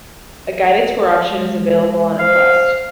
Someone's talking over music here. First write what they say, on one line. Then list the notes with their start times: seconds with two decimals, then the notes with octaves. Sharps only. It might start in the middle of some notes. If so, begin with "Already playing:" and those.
A guided tour option is available on request.
1.29 G#3
2.19 C5 F5